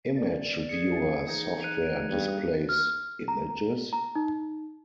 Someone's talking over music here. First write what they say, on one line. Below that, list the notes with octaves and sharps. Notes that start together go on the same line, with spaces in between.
Image viewer software displays images.
D5
G#4 C#7
E3 D#4 G#4 G#6
F#6 D#7 F7
G2
F6
A#5
A#5
D#4